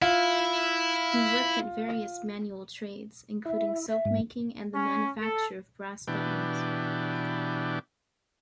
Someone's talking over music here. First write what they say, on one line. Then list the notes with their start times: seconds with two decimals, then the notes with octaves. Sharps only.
He worked at various manual trades, including soapmaking and the manufacture of brass buttons.
0.02 E4 F4
3.45 E4 E5
3.88 E5
4.05 G#2
4.75 C#4
5.22 A4
6.08 B2 E3 D4 G4